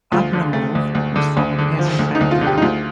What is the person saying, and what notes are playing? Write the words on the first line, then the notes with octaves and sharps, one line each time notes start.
Abramov was from a peasant background.
D2 F4
D3
A3
D2
D2
D3
D2
D3
F3
D2
D#4
D2
F4
D3
G4
D#4
D2 F4